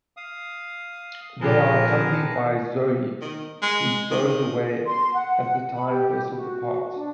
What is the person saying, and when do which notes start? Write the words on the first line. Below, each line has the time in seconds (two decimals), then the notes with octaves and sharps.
They are accompanied by Zoe, who stows away as the time vessel departs.
0.17 F5 D#6
1.41 A#2 F3 C4 G4 G#4 A#4 B4 A5
3.21 D#3
3.62 G#3
4.11 D#3
4.86 C6
5.14 F#5
5.74 B5
5.89 G4
6.35 F#4
6.95 D4